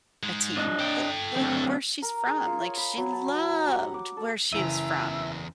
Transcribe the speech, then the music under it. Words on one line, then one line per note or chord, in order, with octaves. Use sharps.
a team that, like, where she's from. Like, she loved where she was from.
G#2 G#3
D4 D#5
A4 G5
D2 C4
A#4
G#4
F4
C#5
B5
F#3
A5
A#5
G4
F#5
D6
A4
F#1 E2 E3 E5 A#5 D#7